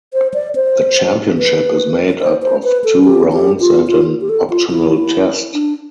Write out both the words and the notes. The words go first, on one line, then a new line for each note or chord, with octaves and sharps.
The championship is made up of two rounds and an optional test.
C5
D5
C5
B4
C5
C5
B4
A4
G4
G4
F4
F4
G4
A4
F4
E4
D4